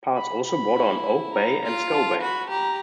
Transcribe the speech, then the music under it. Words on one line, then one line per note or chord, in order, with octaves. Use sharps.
Parts also border on Oak Bay and Scow Bay.
B5
B5
E4
A#5
F4
A5
F#4 B5
G4 A#5